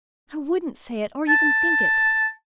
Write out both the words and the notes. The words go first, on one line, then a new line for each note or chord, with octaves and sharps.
I wouldn't say it, or even think it.
A5